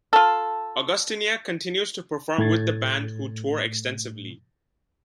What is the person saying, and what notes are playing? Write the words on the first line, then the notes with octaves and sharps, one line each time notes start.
Augustyniak continues to perform with the band who tour extensively.
F4 A4
A2 A3 G#6 A6